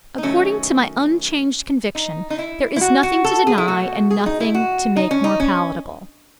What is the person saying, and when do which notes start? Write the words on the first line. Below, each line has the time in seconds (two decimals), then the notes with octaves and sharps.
According to my unchanged conviction there is nothing to deny and nothing to make more palatable.
0.18 D#4
0.23 D#3 F#3 A3 C#4
1.95 D#4
2.30 D#4
2.39 E4
2.76 E4
2.81 F#4
3.03 F#4
3.24 A4
3.47 G#4
3.58 E4
3.67 B2 A3 F#4
4.10 G#4
4.26 D#4
4.40 E4
4.54 F#4
4.96 D#4
5.11 C#4
5.24 D#4
5.40 C#4